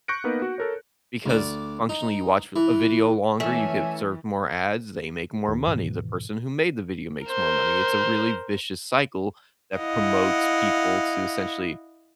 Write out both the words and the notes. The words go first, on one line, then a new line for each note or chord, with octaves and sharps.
because functionally you watch a a video longer, you get served more ads, they make more money, the person who made the video makes more money. It's a really vicious cycle that promotes people to essentially
C#6 F#6 G6 A#6 C#7 D7
A#3 B3 D#4 A#4 B4
F#4
A4 A#4 C#5
D2 D5
D#4
E3
E3 A3 C#4 E5 G#5
D#2
G#2 B2 E3
A#4 C5
E4 D#5 F5 F#5